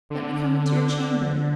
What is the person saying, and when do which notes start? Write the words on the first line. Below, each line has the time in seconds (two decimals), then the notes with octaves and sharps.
Let me come into your chamber.
0.10 D3